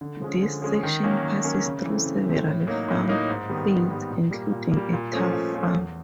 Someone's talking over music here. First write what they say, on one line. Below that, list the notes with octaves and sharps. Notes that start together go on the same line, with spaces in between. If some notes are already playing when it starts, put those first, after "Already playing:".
This section passes through several farm fields, including a turf farm.
D3
F3 G#3 C#4
D3
F3 G#3 C#4
D#3
F#3 A#3 C#4
D#3
F#3 A#3 C#4
C#3
E3 A3 C4
C#3
E3 A3 C4
A2
F#3 A#3 D#4
A2
F#3 A#3 D#4
G#2
D#3 G3 B3
G#2
D#3 G3 B3
A#2
G3 A#3
A#2
G3 A#3
A#2
F3 A3 C#4
A#2
F3 A3 C#4
E2